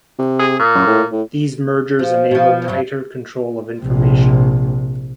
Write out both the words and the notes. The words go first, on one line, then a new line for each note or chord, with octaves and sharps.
These mergers enable tighter control of information.
C3
G#4
A#2
F#2
A2
A2
F3
B2 F3
G2 F#3
A#1 C3